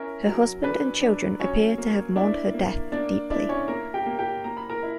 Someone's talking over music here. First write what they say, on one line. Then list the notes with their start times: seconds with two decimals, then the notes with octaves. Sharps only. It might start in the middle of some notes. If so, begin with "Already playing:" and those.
Her husband and children appear to have mourned her death deeply.
Already playing: C#4 E4 A#4
0.26 F#3
0.64 D4 B4
1.01 D4
1.40 F#3 C#4 C#5
1.78 A#3
2.16 D4 E4 D5
2.54 A#3
2.92 A#3 D4 D5
3.30 D4 E4 D5
3.49 C#4 C#5
3.68 A#3 A#4 A#5
3.94 G4 G5
4.06 A#3
4.19 G4 G5
4.44 A#3 A#5
4.57 B5
4.70 A#4 A#5
4.83 E4